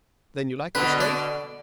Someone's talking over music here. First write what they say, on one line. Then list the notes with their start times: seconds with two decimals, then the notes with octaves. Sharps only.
"Then you like the State?"
0.75 B2 D3 B4
1.00 D5